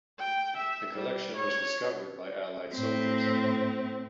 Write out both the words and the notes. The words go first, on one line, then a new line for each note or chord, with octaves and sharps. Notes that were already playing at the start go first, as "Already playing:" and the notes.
The collection was discovered by Allied soldiers.
G5
E5
G3
C#5
A2 C4